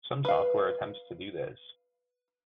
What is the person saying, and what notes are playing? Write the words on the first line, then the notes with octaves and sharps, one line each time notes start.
Some software attempts to do this.
B4 F5